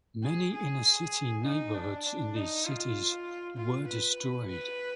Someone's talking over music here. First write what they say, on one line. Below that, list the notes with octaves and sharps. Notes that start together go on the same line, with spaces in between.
Many inner city neighborhoods in these cities were destroyed.
G#4
G#4
D#4
D4
D4
D#4
F4
F4
B4
B4